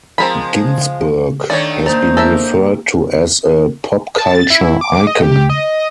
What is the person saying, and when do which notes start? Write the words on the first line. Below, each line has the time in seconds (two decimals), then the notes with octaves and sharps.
Ginsburg has been referred to as a "pop culture icon".
0.18 F3 G#3 C4 A#4 B5
1.50 D#3 A3 D4 C#5 D5
1.86 A#3 C5 D5 A#5
2.17 A4 A#4 E5
4.18 A5
4.35 A6
4.50 E4
4.81 D6
5.07 D#5
5.22 G4
5.50 D#5